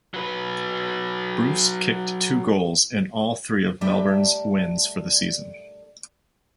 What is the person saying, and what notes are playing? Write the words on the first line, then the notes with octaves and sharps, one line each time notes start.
Bruce kicked two goals in all three of Melbourne's wins for the season.
F#3 B4
G3 A3 D4 A#4 E5 G5